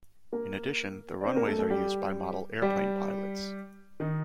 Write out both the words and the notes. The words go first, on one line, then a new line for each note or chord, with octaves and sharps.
In addition, the runways are used by model airplane pilots.
A#3 A#4
D5
C4 C5
A#3 A#4
A3 A4
A3 A4
G3 G4
G3 G4
D#3 D#4